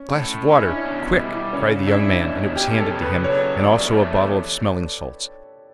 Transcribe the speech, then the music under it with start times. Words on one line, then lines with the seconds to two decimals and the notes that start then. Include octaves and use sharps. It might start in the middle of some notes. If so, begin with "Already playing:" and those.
"A glass of water, quick!" cried the young man, and it was handed to him, and also a bottle of smelling salts.
Already playing: C#4
0.16 A2
0.50 C#4 D4
0.60 E4
0.70 D4
0.85 B2
1.18 G3 E4
1.53 C#3 C#4
1.87 D4 E4
2.21 B2
2.56 C#4 G4
2.80 A4
2.91 C#3
3.01 B4
3.24 F#3 C#5
3.59 E2 D5
3.94 A3